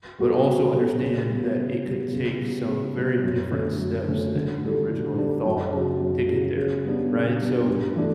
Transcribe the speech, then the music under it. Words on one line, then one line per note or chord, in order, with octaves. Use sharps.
but also understand that it could take some very different steps that you originally thought to get there, right, so
G3 B3 F#4 A4
C#3
G3 B3 F#4 A4
C#3
G3 B3
C#3
G3 B3
C#3
G3 B3
C#3
G3 B3
F#2
D3 A3 C#4
F#2
D3 A3 C#4
D3
G3 D4 A4
D3
G3 D4 A4
F#2
C#3 F#3
F#2
C#3 F#3
C#3
G3 B3 D4
C#3
G3 B3 D4
G2
E3 A3 D4